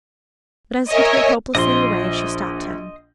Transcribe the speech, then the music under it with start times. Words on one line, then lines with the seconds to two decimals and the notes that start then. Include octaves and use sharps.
But as he turned hopelessly away, she stopped him.
0.88 A#4 C#5 D#5 E5 G#5
1.55 A#1 F3 D#5 C6